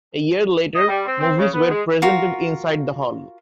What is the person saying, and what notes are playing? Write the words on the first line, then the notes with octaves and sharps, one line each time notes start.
A year later, movies were presented inside the hall.
D#5
G3
C4
C4
C#3
B3
G#3
F4 F#4 A#4